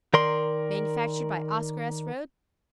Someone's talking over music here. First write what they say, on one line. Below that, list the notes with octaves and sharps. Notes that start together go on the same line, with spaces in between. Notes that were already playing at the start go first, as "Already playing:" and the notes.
Manufactured by OSCAR S. RHOADS.
D#3 A#4 D5 C6